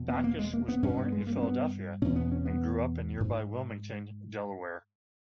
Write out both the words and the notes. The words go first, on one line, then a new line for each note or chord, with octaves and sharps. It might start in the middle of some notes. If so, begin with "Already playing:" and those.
Backus was born in Philadelphia and grew up in nearby Wilmington, Delaware.
Already playing: E2 B2
B3
A#3
G#3
A#3
B3
G2 C#4
C#4
B3
G#3
A#3
C#4
B3
E2 B2 C#4
B3
C#4
B3
G#2